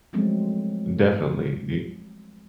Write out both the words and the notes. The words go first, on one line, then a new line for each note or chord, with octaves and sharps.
definitely, the
F3 F#3 G#3 A3 C4 C#4